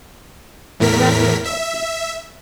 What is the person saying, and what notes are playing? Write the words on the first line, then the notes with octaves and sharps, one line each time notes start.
The rest was Dulcie's.
E2 A2 A#4 B6
E5